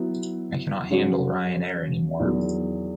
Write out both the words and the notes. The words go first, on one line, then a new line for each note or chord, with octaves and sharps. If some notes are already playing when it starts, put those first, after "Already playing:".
I cannot handle Ryan Air anymore.
Already playing: F#3 B3 E4
C#3 F#3 C#4 F#4
E2 D#3 F#3